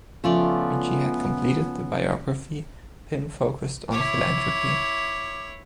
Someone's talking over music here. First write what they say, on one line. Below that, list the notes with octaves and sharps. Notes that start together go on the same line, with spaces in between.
When she had completed the biography Pim focused on philanthropy.
C#3 F3 A3 B3 C#4 F4 D5
E4 C#5 D6